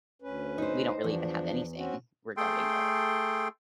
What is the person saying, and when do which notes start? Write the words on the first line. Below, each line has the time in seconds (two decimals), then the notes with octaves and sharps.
we don't really even have anything regarding it.
0.22 D2 C#4 B4
0.58 D#4 C5
1.04 E2 F3 D4
1.76 C4 C#4 F#4
2.37 A3 G#4 A4 G5 C6